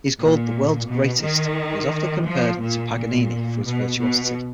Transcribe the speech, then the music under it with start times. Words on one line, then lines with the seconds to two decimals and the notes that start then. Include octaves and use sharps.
He's called 'the world's greatest' and often compared to Paganini for his virtuosity.
0.19 A#2
0.87 B2
1.22 D#3
2.26 F3
2.61 A#2
2.95 A#2
3.64 B2
3.98 B2